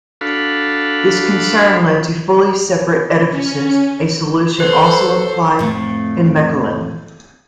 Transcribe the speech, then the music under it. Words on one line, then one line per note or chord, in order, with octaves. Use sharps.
This concern led to fully separate edifices, a solution also applied in Mechelen.
D4 F#4 A4 F5 B5
C#4
A4 B4 C5
F2 A2